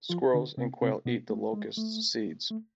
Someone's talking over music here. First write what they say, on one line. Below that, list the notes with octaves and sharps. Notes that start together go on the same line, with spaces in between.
Squirrels and quail eat the locust's seeds.
F3 F4
D3 D4
C3 C4
C3 C4
B2 B3
A3
G#3
A3
A3